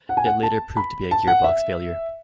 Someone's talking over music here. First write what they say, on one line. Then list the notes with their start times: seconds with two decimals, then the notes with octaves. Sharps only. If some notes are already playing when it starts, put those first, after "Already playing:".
It later proved to be a gearbox failure.
0.09 F#5
0.17 G#5
0.26 F#5
0.43 A5
0.77 B5
1.11 A5
1.27 F#5
1.44 E5